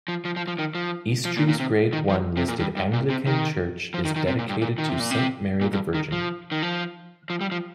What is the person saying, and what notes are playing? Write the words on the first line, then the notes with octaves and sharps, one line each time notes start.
Eastry's Grade One listed Anglican church is dedicated to Saint Mary the Virgin.
F3
F3
F3
F3
D#3
F3
F3
A#2
A#2
C3
D#3
F3
C3
A#2
G2
G2
A#2
C3
D#3
F3
D#3
D#3
C3
A#2
G2
A#2
D#3
C3
A#2
C3
A#2
G2
D#3
F3
D#3
F3
F3
G3
F3